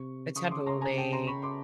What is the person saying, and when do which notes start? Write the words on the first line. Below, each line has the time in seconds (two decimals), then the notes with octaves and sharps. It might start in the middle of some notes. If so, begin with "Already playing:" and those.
the tabbouleh,
Already playing: C3 C#6
0.36 C#3 C#6 D#6
0.51 C6 D6
0.66 A#5 C6
0.81 G#5 A#5
0.97 G5 A5
1.12 A#5 C6
1.27 B5 C#6
1.42 C6 D6